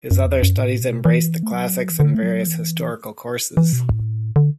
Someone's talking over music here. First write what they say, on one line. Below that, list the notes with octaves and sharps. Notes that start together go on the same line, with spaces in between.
His other studies embraced the Classics and various historical courses.
F#2
E2
F#2
A2
B2
E3
A3
F#3
E3
D3
A3
F#3
E3
E3
B2
A2
D3